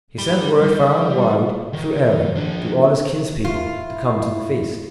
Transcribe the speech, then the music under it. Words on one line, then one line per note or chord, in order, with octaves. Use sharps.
He sent word far and wide through Erin to all his kinspeople to come to the feast.
G3 B5
G3
D#3
F3 D4
E4 F4